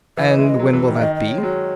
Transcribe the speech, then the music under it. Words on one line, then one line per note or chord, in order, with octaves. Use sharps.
"And when will that be?"
E3 E5
D#5
G#3 E5
D#5
F#3
E3
D#3
E5
D#3 D#5
D#5
C#5
G#3
F#3 C#5